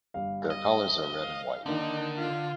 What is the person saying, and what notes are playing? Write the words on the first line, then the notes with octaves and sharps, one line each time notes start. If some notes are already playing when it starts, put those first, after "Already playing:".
Their colors are red and white.
G1 G3 F5
D#5
F5
D3 D#3 A#3 D4 D#4
F4